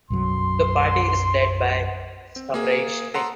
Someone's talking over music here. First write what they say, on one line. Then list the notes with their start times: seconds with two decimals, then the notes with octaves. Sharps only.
The party is led by Samresh Singh.
0.10 B1 F#2 F#3 C6
2.36 C4
2.54 A#3 G#4
3.14 A4 F#5 A#5 C6